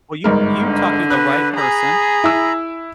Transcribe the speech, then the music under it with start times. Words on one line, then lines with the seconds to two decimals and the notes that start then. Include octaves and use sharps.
Well you you're talking to the right person,
0.24 G1 G#2 A#4
0.65 D3
1.10 B4 F#6
1.56 G#4 A#5 B5
2.24 E4 E6